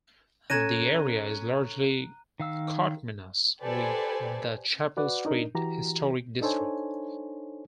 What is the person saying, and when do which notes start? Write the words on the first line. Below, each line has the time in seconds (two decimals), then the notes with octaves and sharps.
The area is largely coterminous with the Chapel Street Historic District.
0.50 C#4 A4 A#5 F#6 G#6 A#6 D#7
2.40 D#3 F5 E6
3.62 G4 A4 B4 C5 D5 G#5
4.97 F#4 B4 D5 F#5
5.25 D4 D#4 A#4
5.55 E3 F#4 G4 A#5
6.41 D4 D#4 A4 C5 C#5 G#5